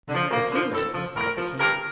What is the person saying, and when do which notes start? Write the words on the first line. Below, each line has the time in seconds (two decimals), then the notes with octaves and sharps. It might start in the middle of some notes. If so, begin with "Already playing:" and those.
'And where does he live?' inquired the king.
0.09 D3
0.14 F3
0.31 D2 A#3
0.52 D3 F3
0.73 A2 A4
0.95 F3
1.16 A2 A#4
1.37 F3
1.59 G2 A#4